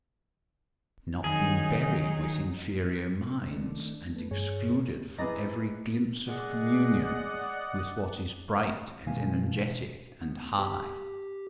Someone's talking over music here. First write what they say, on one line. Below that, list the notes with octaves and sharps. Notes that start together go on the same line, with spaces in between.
I have not been buried with inferior minds, and excluded from every glimpse of communion with what is bright and energetic and high.
D#3 F#3 D#4 G#4
D#3 A3 D4
A3 B3
G2 G#4 C#5
E4 G#4 B4 D5 D#5 A#5
G#3 D5 D#5 F#5
B2 E3 G#3 F5 G#5
B3
G4